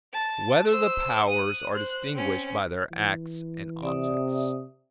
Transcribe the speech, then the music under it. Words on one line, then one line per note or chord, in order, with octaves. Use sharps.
Whether the Powers Are Distinguished by Their Acts and Objects?
A5 A6
C5 E6
D#6 F#6
C5 F#6
C4 C#4
E3
C3 D5 E5 D#6